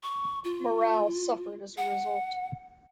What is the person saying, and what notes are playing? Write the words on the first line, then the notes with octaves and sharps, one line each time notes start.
Morale suffered as a result.
C#6
F4
F#5